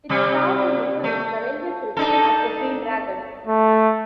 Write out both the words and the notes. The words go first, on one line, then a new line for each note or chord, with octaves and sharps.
It starred in the film "The Railway Children" as the "Green Dragon".
C3 G3
A3
D4 D#4 A4
A3